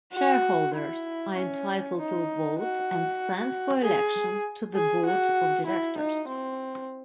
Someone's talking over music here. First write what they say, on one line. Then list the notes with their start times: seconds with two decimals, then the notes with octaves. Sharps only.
Shareholders are entitled to vote and stand for election to the Board of Directors.
0.13 F#4
0.75 E4
1.36 C#4
1.98 D#4
2.60 F#4
3.82 G#4
4.75 G#4
5.06 F#4
5.66 E4
5.98 D#4
6.29 C4